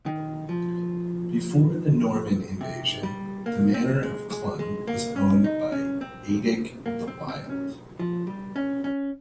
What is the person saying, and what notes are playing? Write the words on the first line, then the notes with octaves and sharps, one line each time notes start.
Before the Norman invasion, the manor of Clun was owned by Eadric the Wild.
D#3
F3
C3
G3
A#3
C4
G#3
G#3
G#3
A#3
C#4
D#4
C#4
C4
A#3
C4
C4
C#4
F3
G3
C#4
C#4